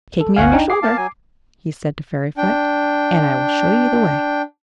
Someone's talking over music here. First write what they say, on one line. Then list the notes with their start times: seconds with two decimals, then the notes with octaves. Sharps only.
"Take me on your shoulder," he said to Fairyfoot, "and I will show you the way."
0.21 A4
0.36 G1 D2 C#4 F5 F#5 G#5
0.53 D4 D#4 G5
0.70 G#4 D6 C7
0.82 A#3 F5 A5
0.97 F#3 G#5
2.38 D4 G5